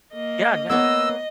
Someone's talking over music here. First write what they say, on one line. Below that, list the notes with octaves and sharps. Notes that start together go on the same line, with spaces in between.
Yeah, no.
A#3 D#5
A#3 B3 C#5 D#5 E6